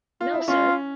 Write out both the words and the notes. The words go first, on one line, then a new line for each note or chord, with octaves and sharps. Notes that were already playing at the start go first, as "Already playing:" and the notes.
No sir!
F4
E4
C#4 F4